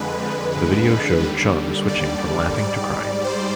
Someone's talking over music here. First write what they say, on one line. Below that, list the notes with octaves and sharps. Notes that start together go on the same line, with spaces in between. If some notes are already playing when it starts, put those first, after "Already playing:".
The video showed Chung switching from laughing to crying.
Already playing: F2 D3 G#3 B4
D#2 D3 G3
D5
G#2 G3 D5
C5